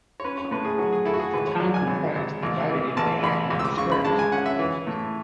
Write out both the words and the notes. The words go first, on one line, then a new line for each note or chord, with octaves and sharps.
The town comprised divided into half-acre squares.
C#5
C#4 B4
C#5
A2 B4
G#4
F#3 F#4
G#4
E4 A4
F#4
G#4
G#1 B4
C#5
F#3 D5
G#5
G#1
G#1
A1
E3
A1 A5
A1 B5
C#2
E6
D6
C#3 C#6
B5
G#3 A5
G#5
C#4 F#5
E5
E3
A2